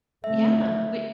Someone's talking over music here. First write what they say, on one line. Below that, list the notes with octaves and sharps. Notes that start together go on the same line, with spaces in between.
Yeah, we
D3 A3 C4 E5